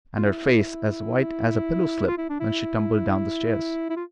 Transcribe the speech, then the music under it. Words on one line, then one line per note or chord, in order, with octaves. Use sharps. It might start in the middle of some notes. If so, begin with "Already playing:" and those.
"And her face as white as a pillow-slip when she tumbled down the stairs."
F4
E4
E4
F4
E4
D4
E4
E4
F4